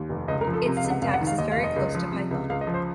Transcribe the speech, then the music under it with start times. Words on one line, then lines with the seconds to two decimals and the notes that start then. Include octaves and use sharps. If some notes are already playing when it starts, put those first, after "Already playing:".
Its syntax is very close to Python.
Already playing: D#2
0.09 F1
0.28 C#2 D#5
0.41 A#4
0.47 F3
0.53 A4
0.65 C3 A#4
0.77 F5
0.84 C#2
0.90 F#5
1.01 F1 F5
1.14 F#5
1.21 D#3
1.27 F5
1.38 D#2 D#5
1.52 F5
1.57 F1
1.64 D#5
1.76 C#2
1.95 F3
2.12 C3
2.31 C#2
2.50 C#2 F5
2.61 D#5
2.67 F3
2.74 C5